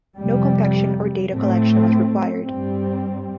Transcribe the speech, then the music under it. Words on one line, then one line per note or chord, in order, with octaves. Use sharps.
No compaction or data collection was required.
F2 C3 G3
A2 A3 C4
G2 G3 C4